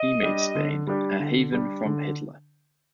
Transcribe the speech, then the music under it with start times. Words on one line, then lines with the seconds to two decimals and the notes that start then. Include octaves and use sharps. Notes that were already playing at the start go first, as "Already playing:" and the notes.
He made Spain "a haven from Hitler".
Already playing: D#5
0.23 G3 D4 G4
0.55 D3
0.87 G3 D4 G4
1.20 D3
1.52 G3 D4 G4
1.85 D3